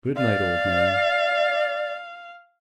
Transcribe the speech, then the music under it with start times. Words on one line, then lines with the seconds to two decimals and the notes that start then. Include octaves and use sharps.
"Good-night, old man."
0.17 D5 F5